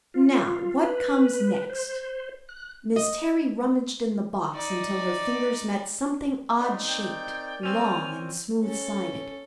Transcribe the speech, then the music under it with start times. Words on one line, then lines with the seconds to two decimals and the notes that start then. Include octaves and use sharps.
"Now, what comes next?" Miss Terry rummaged in the box until her fingers met something odd-shaped, long, and smooth-sided.
0.14 F4
0.84 B4
1.70 C5
2.49 F#6
2.96 D#5
4.54 D#4 D5
6.58 C4 D#4 G#4 D5 C6
6.87 A#4 D5 G5
7.63 C4 C#4 G#5 F7
8.64 C#4 A4